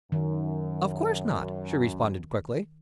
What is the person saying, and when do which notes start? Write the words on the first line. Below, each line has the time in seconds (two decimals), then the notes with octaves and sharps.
"Of course not," she responded, quickly.
0.12 F#2 D#3